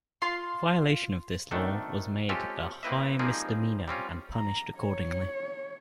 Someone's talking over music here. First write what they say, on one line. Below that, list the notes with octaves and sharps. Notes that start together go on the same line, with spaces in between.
Violation of this law was made a high misdemeanor and punished accordingly.
F4 C6
G#1 D#3 A3 D4 A4
G#3 C4 C#4 F4 G4 A4
A#3 C4 E4 B4 D#5 E5
F3 G3 A#3 C4 D#4 G#4
G3 C4 C#4 F4
A#5
C#5